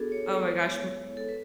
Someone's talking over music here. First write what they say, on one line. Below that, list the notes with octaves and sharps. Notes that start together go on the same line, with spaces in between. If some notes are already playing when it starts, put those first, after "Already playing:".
Oh my gosh, m
Already playing: B3 D4 F#4 G#4 A4
C#5
G#3 B3 E4
A4
B3 B4